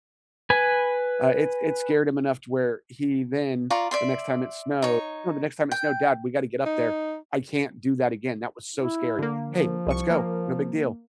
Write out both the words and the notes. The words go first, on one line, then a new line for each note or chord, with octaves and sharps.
uh, it s it scared him enough to where he then, the next time it snowed no, the next time it snowed, "Dad, we gotta get up there. I can't do that again, that was so scary." "Hey, let's go, no big deal."
B4 G#5
F4 D5 A#5 C#6
D5 E5 C6
D#4 C#5
G5
D#4
E4
D3 A#3
F3
C2 C#6
A#3